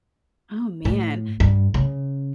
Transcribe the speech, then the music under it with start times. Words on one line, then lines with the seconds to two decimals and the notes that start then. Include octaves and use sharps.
Oh, man.
0.85 A2
1.40 G2
1.74 C#3